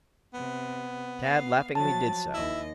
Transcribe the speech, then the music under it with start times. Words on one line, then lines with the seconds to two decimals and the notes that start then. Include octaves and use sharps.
Tad laughingly did so.
0.34 C3 B3
1.23 F5
1.75 F3 F#3 A5 A6
2.34 D#2 E4 D#5